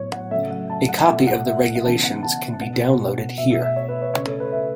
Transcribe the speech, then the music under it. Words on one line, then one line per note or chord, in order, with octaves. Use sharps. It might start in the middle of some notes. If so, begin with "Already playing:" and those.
A copy of the regulations can be downloaded here.
Already playing: A2 F#3 B3 C#5
F#5
C#3 F#3 A3 E5
F#5
A5
F#5
B2 A3 E5
F#5
E5
F#5
C#3 E3 B3 A5
F#5
A5
B2 B3 F#5
B2 A3 E5
E5
E5
C#5
B4
C#5
C#3 A3 C#5
A4
B4
E5